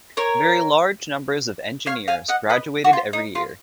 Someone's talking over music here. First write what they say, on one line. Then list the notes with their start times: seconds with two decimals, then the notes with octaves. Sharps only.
Very large numbers of engineers graduated every year.
0.17 A#4 C#5
1.86 C#5 F5
2.08 F5 G#5
2.28 D#5 F#5
2.50 B4 D#5
2.84 F#4
2.93 F4
3.13 D#4
3.35 F4